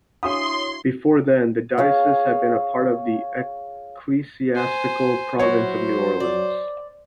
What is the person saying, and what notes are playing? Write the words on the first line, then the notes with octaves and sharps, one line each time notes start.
Before then, the diocese had been part of the Ecclesiastical Province of New Orleans.
D4 E4 F#4 C#5 F5 C6 D#6
G#4 C#5 F5
C5 G#5
F#3 E4 F#4 C5 C#5
D5